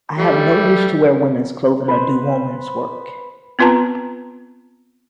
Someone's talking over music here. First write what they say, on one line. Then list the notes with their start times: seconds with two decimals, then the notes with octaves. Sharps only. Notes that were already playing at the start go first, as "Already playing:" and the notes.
I have no wish to wear women's clothing or do woman's work.
0.18 G3 A3
1.88 B4 C5
3.59 B3 C4 F4 B4 A5 A#5